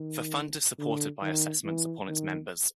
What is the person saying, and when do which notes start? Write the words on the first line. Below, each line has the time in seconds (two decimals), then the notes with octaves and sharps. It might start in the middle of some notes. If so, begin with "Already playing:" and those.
The fund is supported by assessments upon its members.
Already playing: D#3
0.79 D3
1.22 D#3
1.65 E3
2.08 D#3